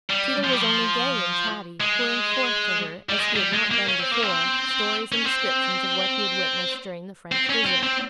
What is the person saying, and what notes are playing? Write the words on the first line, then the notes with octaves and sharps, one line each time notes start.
Tito was only gay and chatty, pouring forth to her, as he had not done before, stories and descriptions of what he had witnessed during the French visit.
G3
F3
G3
F3
G#3
G3
G#3
G3
G#3
A#3
C#4
C4
A#3
C4
C#4
C4
C4
C#4
C4
C4